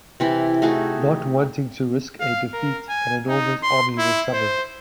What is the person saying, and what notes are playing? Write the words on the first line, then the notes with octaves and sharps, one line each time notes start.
Not wanting to risk a defeat, an enormous army was summoned.
C3 E3 E4
A3 D#4 F#4 G#4
F5
A#4
G#5
D#4
C6
E4
C5